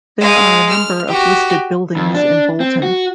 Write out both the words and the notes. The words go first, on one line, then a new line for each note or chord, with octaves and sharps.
There are a number of listed buildings in Bolton.
G#3 F5
F6
F#4 G4
F2
D4
C4
F#4